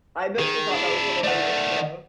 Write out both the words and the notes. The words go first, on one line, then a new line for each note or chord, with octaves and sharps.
I bet she thought that was hilarious though.
D#3 G#4
D4 E4
D#3 A3 D5 D#5 F#5